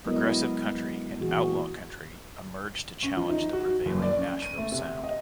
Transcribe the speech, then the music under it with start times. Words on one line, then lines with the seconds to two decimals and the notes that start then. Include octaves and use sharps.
Progressive country and outlaw country emerged to challenge the prevailing Nashville sound.
0.06 F#3 G#3 B3 E4 A#4 D#5
1.20 A#2 E3 F#4 G#4
3.03 C#4
3.17 F3
3.29 D#4
3.53 F#4
3.86 F#1
4.02 D5
4.17 C#4
4.42 D#7
4.58 A3
4.72 C3
5.04 D#5